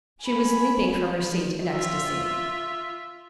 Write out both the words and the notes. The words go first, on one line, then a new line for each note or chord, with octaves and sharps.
She was leaping from her seat in ecstasy.
G#5 B5
F4 E5